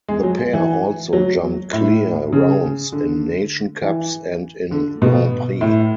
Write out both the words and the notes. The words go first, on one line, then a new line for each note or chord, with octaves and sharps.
The pair also jumped clear rounds in Nation Cups and in Grands Prix.
G#3
F#3
E3
F#3
A2
C#3
D3
E3
D3
B2
A2